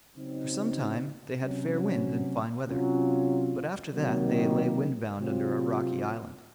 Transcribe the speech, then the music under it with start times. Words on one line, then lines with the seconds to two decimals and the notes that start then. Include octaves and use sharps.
For some time they had fair wind and fine weather, but after that they lay wind-bound under a rocky island.
0.17 C#3 F#3 C4 D#4
1.42 C3 F#3 C#4
2.67 C3 F#3 C#4 F4
3.93 C3 D#3 F#3 A#3
5.18 C3 F#3 C4 F4